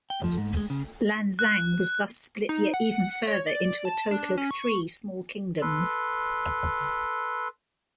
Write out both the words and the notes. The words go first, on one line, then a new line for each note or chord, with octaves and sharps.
Lanxang was thus split yet even further into a total of three small kingdoms.
G5
F3
G#2
G#3
C#3
F#6
D#4
F#5
C#5
D5
A5
D4
C#4
C#6
A4 B4 C6